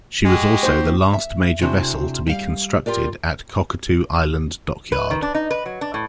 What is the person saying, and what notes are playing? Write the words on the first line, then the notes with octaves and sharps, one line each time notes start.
She was also the last major vessel to be constructed at Cockatoo Island Dockyard.
G#3 F#4 G4
A#3 D#4 C5
E5
C3 C4 D4 E4 F#4 G#4
G3 F5
F4 G4 A#4 D5
B4
D#3
D4
D#4
B4
F#3
D4
A2